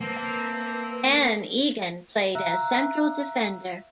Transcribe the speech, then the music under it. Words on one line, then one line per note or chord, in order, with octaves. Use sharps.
Dan Eggen played as central defender.
A#3 C4 B4 E5 A5
E5 F5 A#5 E6 F#6